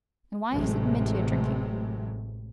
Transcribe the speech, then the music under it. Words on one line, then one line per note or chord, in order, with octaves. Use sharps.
And why isn't Mitya drinking?
A1 A2 C3 F#3 G#3 A3